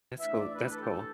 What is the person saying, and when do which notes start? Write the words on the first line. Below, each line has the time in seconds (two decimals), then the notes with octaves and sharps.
That's cool, that's cool.
0.19 E3 A3 D4 E5
0.37 D5
0.54 B4
0.71 A4
0.81 G4
0.89 A4